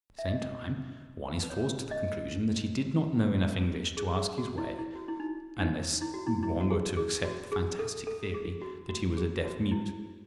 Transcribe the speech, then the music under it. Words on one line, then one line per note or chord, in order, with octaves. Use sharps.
At the same time one is forced to the conclusion that he did not know enough English to ask his way, unless one were to accept the fantastic theory that he was a deaf mute.
E5
D#5
B4
C#5
D#5
G#4
G#4
F#4
E4
E4
F#4
E4
D#4
D#4
E4
F#4
E4
E4
F#4
G#4
G#4
F#4
G#4
A4
A4
G#4
F#4
F#4
G#4
F#4
E4